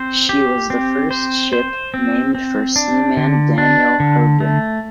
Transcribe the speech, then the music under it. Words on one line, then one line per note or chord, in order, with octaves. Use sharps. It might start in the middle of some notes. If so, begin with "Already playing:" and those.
She was the first ship named for Seaman Daniel Hogan.
Already playing: C4 C5
G4
C4
C5
C5
C4
C4
D4
D3
D4
D3
A3